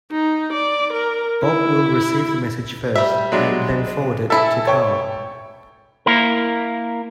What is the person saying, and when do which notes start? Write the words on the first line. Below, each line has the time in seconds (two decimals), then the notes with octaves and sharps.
Bob will receive the message first and then forward it to Carl.
0.11 D#4
0.52 D5
0.92 A#4
1.43 E4
2.96 G3 E5
3.32 F#3 G#3 D4
4.30 E3 E4 A4 E5
4.67 C#5 G5 C#6
6.06 A#3 E4 A#4